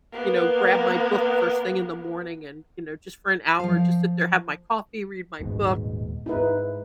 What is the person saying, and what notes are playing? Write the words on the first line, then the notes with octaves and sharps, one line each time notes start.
you know, grab my book first thing in the morning and, you know, just for an hour, just sit there, have my coffee, read my book,
A#3 B3
F3 F5
D#1 G#2 B2
G#2 D#4 E4 B4